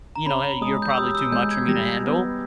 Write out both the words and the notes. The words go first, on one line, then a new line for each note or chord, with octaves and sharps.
you know, "Hey, you're probably too much for me to handle,"
A#5
C#4 B5
G#3 D#6
G6
E6
G4 D#6
E6
G#3 G6
G#6
G3 A#6
B3